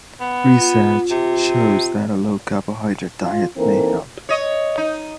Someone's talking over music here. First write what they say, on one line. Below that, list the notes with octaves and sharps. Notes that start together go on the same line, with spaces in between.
Research shows that a low-carbohydrate diet may help.
B3
F4
C3
F4
E3 A#3 C4 D#4 A4 A#4
C#5 D#5
D#4